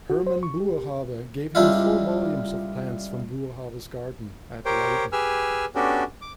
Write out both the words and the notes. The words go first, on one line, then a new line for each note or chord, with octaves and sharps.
Herman Boerhaave gave him four volumes of plants from Boerhaave's gardens at Leiden.
F#4
C5
C#6
G4
C#2 G3 D4 E4 F4
G4 A#4 C5 C#5 G5
G4 G#4 B4 G#5 E6 F6
B3 C#4 D4 F#4 G4 A4
D6